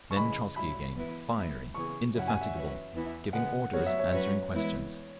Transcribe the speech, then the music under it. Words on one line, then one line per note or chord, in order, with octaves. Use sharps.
Then Trotzky again, fiery, indefatigable, giving orders, answering questions.
C#6
C#3 E3 G#3 B5
G#2 F#3 E4 B5
E3 B3 E4 B4
F#3 B3 E4
C#3 E3 B3 G#4 C#6
F#2 C#3 F#3 C#4 E4 F#5
G#5
E5
E3 C#4 F#4 B4
E2 E3 B3 E4
C#3 G#3 B3 F#5
F#3 B3 F#4 C#5
E5
C#5
F#3 C#4 F#4 B4 C#5
E3 G#3 B3 E4 B4